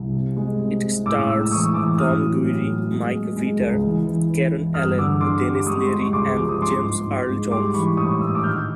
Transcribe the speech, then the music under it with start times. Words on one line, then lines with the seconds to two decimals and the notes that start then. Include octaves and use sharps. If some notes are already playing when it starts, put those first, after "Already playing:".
It stars Tom Guiry, Mike Vitar, Karen Allen, Denis Leary and James Earl Jones.
Already playing: C2
0.13 C3
0.37 G#3
0.60 C3
0.83 C3
1.06 A2 D6 E6
1.29 G#3 D6 E6
1.44 E6
1.51 E3 C#6 D#6
1.74 E3 D6 E6
1.98 A2 D#6 F6
2.21 F#3
2.44 A2
2.67 F#3
2.91 G#3
3.14 G#3
3.36 G#3
3.60 C#2
3.83 E3
4.05 E3
4.29 E3
4.51 E3
4.74 G2 D#6 F6
4.97 D3 D6 E6
5.20 D3 C6 D6
5.44 G3
5.55 D6
5.66 G#3 C#6 D#6
5.86 G#3 C6
6.00 C#6
6.13 C#2 C6 D6
6.36 F3 D6
6.49 D#6
6.59 G#2 C6 D6
6.82 G#2
7.05 G#2
7.28 G#2
7.51 G3 C6 D6
7.74 E3 B5 C#6
7.97 A2 C#6 D#6
8.20 A2 E6
8.28 D#6
8.35 D6 E6
8.43 D#3 F6 G6